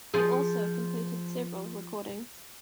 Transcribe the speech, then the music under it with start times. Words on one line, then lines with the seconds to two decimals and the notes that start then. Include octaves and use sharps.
He also completed several recordings.
0.14 F3 G#4